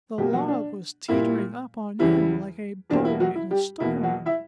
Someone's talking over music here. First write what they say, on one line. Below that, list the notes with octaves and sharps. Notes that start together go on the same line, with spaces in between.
The log was teetering up on end like a boat in a storm!
B2 G3 A#3 G4
F#3 F#4
D4
A#2 G3 A#3 E4
E2 C#3 E3 G3 E4
E2 B2 G3 A#3 D4
E4
F#3 F#4
E4
G3 G4
E2 B2 A#3 E4
F#3 F#4
E4 E5